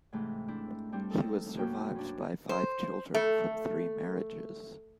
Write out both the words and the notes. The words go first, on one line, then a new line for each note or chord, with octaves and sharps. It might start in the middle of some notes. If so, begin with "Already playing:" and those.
He was survived by five children from three marriages.
G#2 C3 E3 A3
C4 D4 E4
G3 C4 D4
D#4 A4
F#2 B2 A#3 F#4 G5
C#4 D4
C5
A3